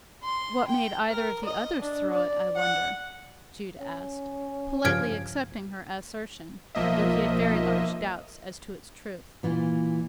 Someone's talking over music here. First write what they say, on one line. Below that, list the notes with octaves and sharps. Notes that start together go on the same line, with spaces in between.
"What made either of the others throw it, I wonder?" Jude asked, politely accepting her assertion, though he had very large doubts as to its truth.
C6
G5
A#4
D#5
D4
D5
F#5
C#4
G2 C#3 F3 F6 G#6 D7
B1 F3 A#3 D#5 E5
A#2 E3 F4